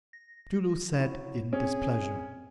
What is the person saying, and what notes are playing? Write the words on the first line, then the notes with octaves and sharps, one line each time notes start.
Tzu-lu said in displeasure.
A#6
F#3 E4
C4 C#4 G#4